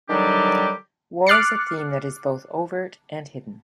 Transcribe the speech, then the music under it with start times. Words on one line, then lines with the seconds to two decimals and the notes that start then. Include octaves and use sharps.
War is a theme that is both overt and hidden.
0.09 D3 D#3 F#3 G3 D4 G4
1.27 D6 F6 F#6 A6 C7 C#7